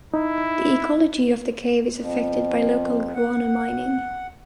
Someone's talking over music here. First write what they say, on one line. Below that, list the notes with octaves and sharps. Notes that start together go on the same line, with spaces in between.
The ecology of the cave is affected by local guano mining.
D#4 E4
F2
F#5